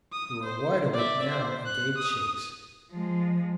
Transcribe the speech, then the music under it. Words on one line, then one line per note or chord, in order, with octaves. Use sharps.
We were wide awake now and gave chase.
D#6
C5
D5 E5
C5
F#6
D#6
F3 G#3